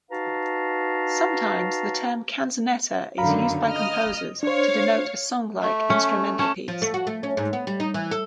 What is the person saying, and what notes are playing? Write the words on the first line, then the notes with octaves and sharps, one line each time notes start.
Sometimes the term canzonetta is used by composers to denote a songlike instrumental piece.
D#4 F#4 B4 F5 A5 A#5
F#2 D3 D#3 F5 A#5 B5
D#5 F6
D4 C5 C#5 F5
A3 E5
C#4
C#4 A5
F3
A3
F#4
A3
C#4
G#2
B3
G3
D#4
E3
A4